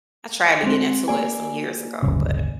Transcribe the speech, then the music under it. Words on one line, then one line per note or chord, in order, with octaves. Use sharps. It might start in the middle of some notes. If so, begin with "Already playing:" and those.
I tried to get into it some years ago, but
G#3 C4
A#3 D5 G#5
D1 G1 C#3